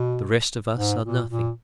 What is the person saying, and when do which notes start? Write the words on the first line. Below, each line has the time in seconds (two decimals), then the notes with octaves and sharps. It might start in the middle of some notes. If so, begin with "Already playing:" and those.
The rest of us are nothing.
Already playing: B2
0.77 G#2
1.04 A#2
1.31 A#2